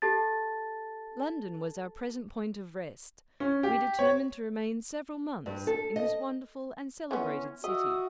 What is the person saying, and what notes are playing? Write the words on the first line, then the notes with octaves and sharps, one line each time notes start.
London was our present point of rest; we determined to remain several months in this wonderful and celebrated city.
G4 A4 A5 A6
C#4
G4
C#5
G2
A4
D#5
E3 B3 C#4 C6
F#4 D#5 E5 D#6